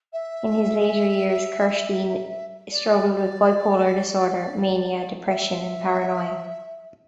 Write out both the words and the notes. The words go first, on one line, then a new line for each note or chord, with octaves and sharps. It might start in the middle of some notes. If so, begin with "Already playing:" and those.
In his later years, Kirstein struggled with bipolar disorder - mania, depression, and paranoia.
E5
D5
D5
E5